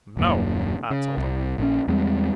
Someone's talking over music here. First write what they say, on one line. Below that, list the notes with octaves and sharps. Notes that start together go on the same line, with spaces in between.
No,' I told him.
D#1 F#2 A#3
C#3
C2
A#1 A#2 C#4
E2 G3 G#3 C4